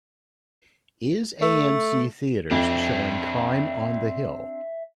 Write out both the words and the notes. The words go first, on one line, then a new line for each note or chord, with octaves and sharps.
Is AMC Theaters showing Crime on the Hill?
A3
F2 C4 D4 E5